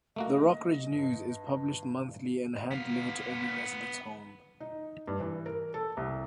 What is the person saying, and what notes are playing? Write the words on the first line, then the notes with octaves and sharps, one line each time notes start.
The "Rockridge News" is published monthly and hand delivered to every resident's home.
A3 A#3 F#4 D#5
G2
B3 F5
D#4
G2
E3
A#4
A4
C2